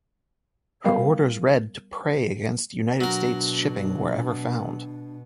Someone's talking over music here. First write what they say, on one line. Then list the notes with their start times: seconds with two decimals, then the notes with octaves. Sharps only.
Her orders read to prey against United States shipping wherever found.
0.84 G3 B3 A#4 D#5 F5 B5
3.01 B2 F#3 D4 A#4